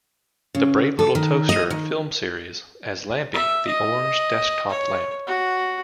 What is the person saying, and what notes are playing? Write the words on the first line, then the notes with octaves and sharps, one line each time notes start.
"The Brave Little Toaster" film series, as Lampy the orange desktop lamp.
C#3
A4
D#3
D#5
D#3
E5
D#5
C#5
F#4